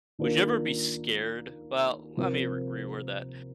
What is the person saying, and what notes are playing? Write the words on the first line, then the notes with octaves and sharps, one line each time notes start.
Would you ever be scared Well, let me re reword that.
D#3 A#3 D4 F4 A#4
C3 F3 C4 F4 A#4